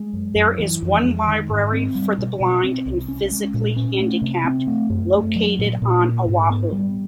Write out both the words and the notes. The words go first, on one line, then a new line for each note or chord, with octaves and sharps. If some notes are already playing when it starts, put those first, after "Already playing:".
There is one library for the blind and physically handicapped, located on Oahu.
Already playing: G#3
F#2
F#2
E3
F2
G#3
D#3
G#2
C4
G3
B2
B2
C4
C2
C#4
G#3
A#2
C#4
A3
C3
C4
A3
F#2
A3
F#3
A#2
A#2
A#3
G#2
B3
G3